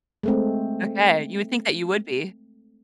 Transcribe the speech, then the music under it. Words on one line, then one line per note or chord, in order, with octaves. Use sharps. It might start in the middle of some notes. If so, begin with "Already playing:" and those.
Okay, you would think that you would be.
G#3 A3 C4